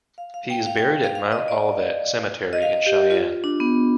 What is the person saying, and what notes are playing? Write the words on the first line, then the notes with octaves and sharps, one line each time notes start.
He is buried at Mount Olivet Cemetery in Cheyenne.
F5
F5
G5
F5
G5
F5
F5
D#5
D5
D#5
F5
G4
F4
D4
B3